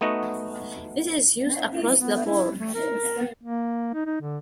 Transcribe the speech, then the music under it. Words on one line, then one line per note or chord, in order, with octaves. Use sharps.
This is used across-the-board.
A3 B3 D#4 F#4 D#5
B3
E4
A3
A#4
A#3
D#4
D#4
D3